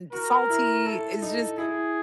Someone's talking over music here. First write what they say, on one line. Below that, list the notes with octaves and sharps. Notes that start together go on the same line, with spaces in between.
salty." It's just
F#4 A#4
E4
E4 A4
D#4
E4 G#4